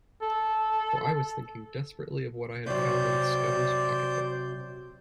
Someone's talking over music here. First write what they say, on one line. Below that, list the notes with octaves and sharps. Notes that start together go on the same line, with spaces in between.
For I was thinking desperately of what I had found in Scudder’s pocket-book.
A4
C3 F#3 C5 D5 G6